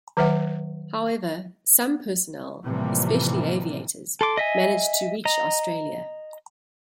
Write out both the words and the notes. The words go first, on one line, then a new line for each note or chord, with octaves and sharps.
However, some personnel, especially aviators, managed to reach Australia.
D#3 F#3 B4 E5 F#5
A2 C3 E3 F3 G3 A#3
A4 C6 D6
D#5 E5 G#5
D#5 A#5